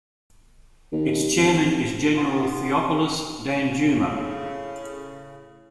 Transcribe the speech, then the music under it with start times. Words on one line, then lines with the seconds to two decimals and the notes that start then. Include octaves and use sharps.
Its chairman is General Theophilus Danjuma.
0.92 D#2
1.37 G#1
2.16 B3 F4 F5
3.85 A2 C#3